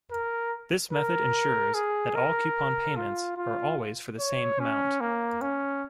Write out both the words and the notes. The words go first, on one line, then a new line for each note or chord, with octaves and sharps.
This method ensures that all coupon payments are always for the same amount.
A#4
A#4
G#4
A#4
F4
F4
C#5
C#4
A#3
C#4